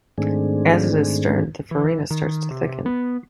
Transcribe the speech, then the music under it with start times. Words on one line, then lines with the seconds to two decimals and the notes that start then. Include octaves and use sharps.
As it is stirred, the farina starts to thicken.
0.18 G#2 D#3 A3 C4 D4 G#4
1.71 E3
2.11 D#3
2.51 C3
2.86 B3